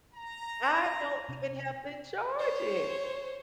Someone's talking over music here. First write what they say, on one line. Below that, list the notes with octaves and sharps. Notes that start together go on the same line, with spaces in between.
I don't even have to charge it!
A#5
C3
C5 C#5